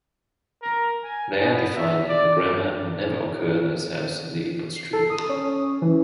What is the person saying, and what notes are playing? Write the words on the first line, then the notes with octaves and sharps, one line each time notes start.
They are defined in the grammar and never occur themselves in the input stream.
A#4
G#5
B3
E5
D5
C7
A4
D#6
C#4
E3